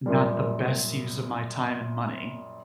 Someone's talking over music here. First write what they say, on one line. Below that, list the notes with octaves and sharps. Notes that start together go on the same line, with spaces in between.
not the best use of my time and money,
F#2 A#2 G3